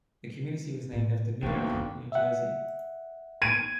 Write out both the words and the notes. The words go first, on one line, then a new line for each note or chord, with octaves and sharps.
The community was named after Newark, New Jersey.
A2
D2 B2 D3 E3 A#3 D#4 F#4 G5
F#1 D#3
E5 F#5
G#6 D7 D#7